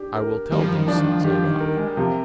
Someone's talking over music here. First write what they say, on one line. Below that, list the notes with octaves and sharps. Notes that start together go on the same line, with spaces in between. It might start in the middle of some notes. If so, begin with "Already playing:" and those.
"I will tell thee," said Zadok.
Already playing: D4 G4
A#4
D#3 G3
F3
D#3
F3 D4
D#3
F3
D#3 G4
F3
D#3
A#4
G#3
G3
C3 F3